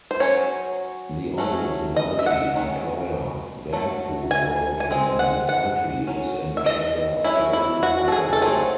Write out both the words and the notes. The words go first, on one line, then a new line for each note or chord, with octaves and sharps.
The oldest multi-employer vanpool program in the country is in Treasure Valley, Idaho.
C5
F#3 C#4 C#5
F#3 A3 C#4
D#5
E5
F#5
D#3 F#3 C#4
F#3 A3
G#5
G#5
G#3 C4
F#5
F#5
F#3 C#4
E5
D#5
F#3 C#4 E4
E4
F#4
A4
G#4
A4
F#3 A3 C4 G#4